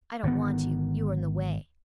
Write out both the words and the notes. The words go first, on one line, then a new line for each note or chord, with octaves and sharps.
"I don't want you, you are in the way."
G#1 D3 D#3 B3